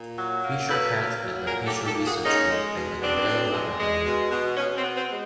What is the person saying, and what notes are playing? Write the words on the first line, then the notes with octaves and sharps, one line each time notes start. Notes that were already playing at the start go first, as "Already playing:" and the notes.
Fisher heads the Fisher Research Group at the Gaballe Laboratory.
Already playing: A#2
F#3
A#3
F#3 A4 B4
A#3
F#3
A#2 G#4 A#4
G4 A4
A#2
G4 A4
A#3
F#4 G#4
G#3 C#4 D#4
G#3
B2
B3 C4 D4
B2
G#3
G#3
B2
B2
B2 B3 C#4
C4
B3
C4
G#3